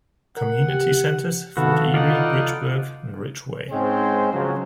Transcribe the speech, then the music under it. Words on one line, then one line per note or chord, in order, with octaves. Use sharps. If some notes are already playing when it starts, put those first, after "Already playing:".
Community centres: Fort Erie, Bridgeburg and Ridgeway.
A#4 F#5
G4
C3 D#3 A3 B3 F#4 A4 F5
D#4 F4 D5 F#5
G#2 G#3 C4 C#4 C5
C#3 F3 F#3